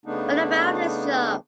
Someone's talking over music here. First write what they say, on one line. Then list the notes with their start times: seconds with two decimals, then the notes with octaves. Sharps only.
What about this job?
0.06 C#3 A3 B3 D4 D#4